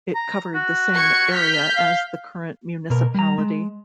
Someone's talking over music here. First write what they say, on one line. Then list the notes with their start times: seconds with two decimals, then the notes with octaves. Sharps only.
It covered the same area as the current municipality.
0.15 A#5
0.55 F#4
0.94 C#6 G#6 C#7
1.30 F6 G6 B6
1.76 F5
2.90 B2 A#4
3.14 G3 A#5
3.38 G#3